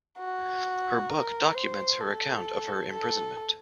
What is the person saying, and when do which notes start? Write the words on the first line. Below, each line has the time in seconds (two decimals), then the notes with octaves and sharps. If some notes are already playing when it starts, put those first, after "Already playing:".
Her book documents her account of her imprisonment.
0.18 F#4
1.10 A#4
1.55 C5
2.01 A4
2.93 A4